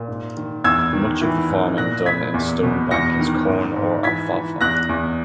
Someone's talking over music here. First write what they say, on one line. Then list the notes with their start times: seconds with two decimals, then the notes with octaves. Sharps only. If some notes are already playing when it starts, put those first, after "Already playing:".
Much of the farming done in Stone Bank is corn, or alfalfa.
Already playing: A#2
0.08 G#2
0.37 D#3
0.64 E2 E6 G#6
0.93 D#3
1.22 E3
1.50 G#2
1.77 A#2 F#6 A#6
2.06 A#2 G#6 B6
2.34 E2
2.63 B2
2.91 E2 A#6 C#7
3.20 D#3
3.48 G#2
3.76 G#2
4.04 E3 G#6 B6
4.32 E3
4.61 E2 F#6 A#6
4.89 E2